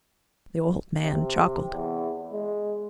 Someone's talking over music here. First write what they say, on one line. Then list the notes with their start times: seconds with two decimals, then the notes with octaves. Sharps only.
The old man chuckled.
1.02 C3
1.72 E2
2.32 G#3